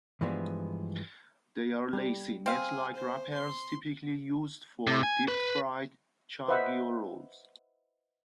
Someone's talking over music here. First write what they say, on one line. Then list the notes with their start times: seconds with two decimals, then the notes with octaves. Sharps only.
They are lacy, net-like wrappers typically used for deep-fried cha gio rolls.
0.21 G2 E3 F3 G#3 B3
1.93 G3
2.46 C4 G#4 F5
2.96 C5
3.33 C6
4.87 C3
5.03 G#5
5.28 B4
6.48 B4 C5 D#5 E5 F#5